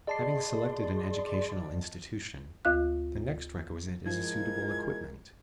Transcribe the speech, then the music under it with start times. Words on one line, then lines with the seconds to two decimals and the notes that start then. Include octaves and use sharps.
Having selected an educational institution, the next requisite is a suitable equipment.
0.07 G#4 D5 D#5 A5 C6 C7
2.65 D2 F4 F5 F#6
4.06 F3 G#3 E4 A#4 G#6